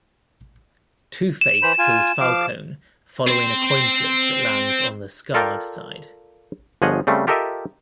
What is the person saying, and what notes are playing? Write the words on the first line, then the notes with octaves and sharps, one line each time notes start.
Two-Face kills Falcone following a coin flip that lands on the scarred side.
E7
E3 C5 B5
F4 G#5
F3 F5 D6
C4 C5
F4 A4 A#4 D5 F5 G5
G1 F3 G#4 C#5 D#5 F#5
C#3 G3 A3 C4
F4 G4 A4 A#4 D#5 E5